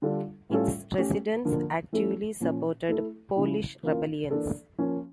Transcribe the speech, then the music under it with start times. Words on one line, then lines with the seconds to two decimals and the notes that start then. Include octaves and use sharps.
Its residents actively supported Polish rebellions.
0.02 D3 G3 D4 F4 A4
0.50 A2 G3 C#4 F4 A4
0.98 A3 C#4 G4
1.45 D3 F3 A#3
1.92 F3 A3 C#4 E4 A4
2.40 A#2 F3 C#4
2.88 A3 E4 A4
3.36 C#3 F3 C#4 E4
3.83 E3 A#3 C#4 F4 A#4
4.31 E3 A#3 D4 A4
4.78 F3 A#3 C#4